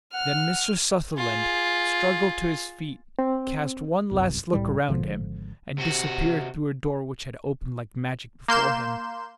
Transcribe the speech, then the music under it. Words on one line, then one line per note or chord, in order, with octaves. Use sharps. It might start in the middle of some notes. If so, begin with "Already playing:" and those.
Then Mr. Sutherland struggled to his feet, cast one last look around him, and disappeared through a door which had opened like magic before him.
F#5 F6
F4 G#4
C4
G1 C2 F#2
C2 A2 G3
G#1 D3 F3
C3 F#4
A#3 C6 G6 E7